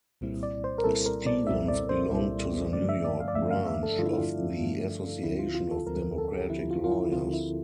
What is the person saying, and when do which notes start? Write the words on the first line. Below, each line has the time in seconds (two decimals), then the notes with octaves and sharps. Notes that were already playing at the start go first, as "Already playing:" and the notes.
Stevens belonged to the New York branch of the Association of Democratic Lawyers.
0.21 C2 A#2 G3 C4 E4
0.43 D5
0.64 C5
0.78 A#4
0.84 C2 A#2 G3 C4 E4 A4
1.06 A#4
1.26 D5
1.47 C2 A#2 G3 C4 E4 E5
1.68 D5
1.89 C5
2.10 C2 A#2 G3 C4 E4
2.73 G2 D3 F3 A3 D4 D5
2.89 E5
3.04 D5
3.20 F5
3.28 D5
3.35 G2 D3 F3 A3 D4 E5
3.51 F5
3.66 E5
3.83 A4
3.98 G2 D3 F3 A3 D4 F4
4.06 E4
4.13 F4
4.61 G2 D3 F3 A3 D4
5.23 D2 D3 F3 C4 E4
5.39 F4
5.55 F4
5.71 A4
5.87 D2 D3 F3 C4 A#4
6.02 A#4
6.18 A4
6.34 G4
6.49 D2 D3 F3 C4 E4
6.71 F4
6.84 F4
6.91 E4
7.11 D2 D3 F3 C4 F4
7.33 E4